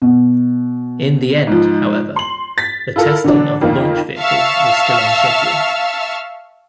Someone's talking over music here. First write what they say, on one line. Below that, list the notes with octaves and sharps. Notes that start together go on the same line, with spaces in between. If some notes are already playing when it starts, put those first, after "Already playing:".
In the end however the testing of the launch vehicle was still on schedule.
B2
G#2 F3
C6 F#7
A6 B6
E4 F4 A4 A#4
D3 E3 F#3 D4
F2 D#3 A#3 F4
E5 F5 A5 C#6 E6 F6